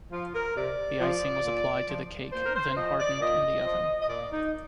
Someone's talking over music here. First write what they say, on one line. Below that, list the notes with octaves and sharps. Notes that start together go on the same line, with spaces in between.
The icing was applied to the cake then hardened in the oven.
F3 F4
A#4
C3 D5
F3
A#2
F3
A#2 C5
A#4
C5
F3 D#5
D5
A#2 D#5
F3
D#5
A#2 D5
D#4